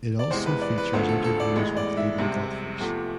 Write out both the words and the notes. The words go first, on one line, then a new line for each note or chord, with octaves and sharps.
It also features interviews with leading golfers.
D5
E2 C3 E3 G#3 C5
B4
D5
B4
E1 D2 D3 F3 A3 C5
A4
A4
D5
A1 A2 E3 G#3
D5
E5
C2 C3 G#3
E2 C3 F3 A3